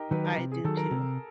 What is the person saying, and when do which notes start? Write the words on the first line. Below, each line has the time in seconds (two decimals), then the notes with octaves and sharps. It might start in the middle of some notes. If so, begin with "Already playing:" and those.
I do too.
Already playing: D#4 G4 A#4
0.11 D#3 F#3 B4
0.24 A#4
0.38 C3
0.52 G#4
0.65 D#3 A4
0.68 F#3
0.77 A#4
0.91 C3